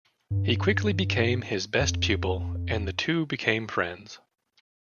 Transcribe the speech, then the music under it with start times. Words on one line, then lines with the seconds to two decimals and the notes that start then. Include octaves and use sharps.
He quickly became his best pupil and the two became friends.
0.31 G2
1.80 F2